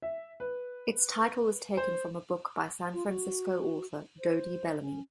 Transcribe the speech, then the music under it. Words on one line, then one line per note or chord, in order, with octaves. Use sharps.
Its title was taken from a book by San Francisco author Dodie Bellamy.
E5
B4
C5
F4
F#4
C5
C#4